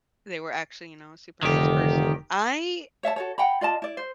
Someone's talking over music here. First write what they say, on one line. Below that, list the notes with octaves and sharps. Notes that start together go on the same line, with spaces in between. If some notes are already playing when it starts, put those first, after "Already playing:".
they were actually, you know, a super nice person I
F1 D3 D#3 G4
C#5 E5 F5 A5
F#4 A4 C#5
F#5 G5 A#5 B5
F4 D5 D#5 A5
E4 D5
C5